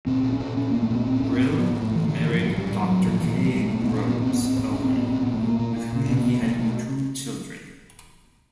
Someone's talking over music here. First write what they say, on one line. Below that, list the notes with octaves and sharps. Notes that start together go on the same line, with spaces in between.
Brill married Doctor K. Rose Owen, with whom he had two children.
A#2 C4
A#2
C#4
A#2
A#2 C#4
A#2 A#3
A3
A#2 B3
A2 C4
A2 C#4
C4
A2
A2 B3
A2
A3
A2 E3
A2 D3
A2 E3
F3
A2 F#3
F#3
A2 G3
A2
F#3
A2
A#2 F3
A#2 E3
F#3
A#2 G3
A#2 G#3
A#2 A3
B3
A#2 C#4
A2 B3
A2 C4
B3
A2 C4
A2 C4
A2 C#4
C4
A2 B3
A#2 C4
A#2 B3
A3
A#2 A#3
A#2
A#2
A#2
B2 B3
B2 B3
B2 A#3
B2 A3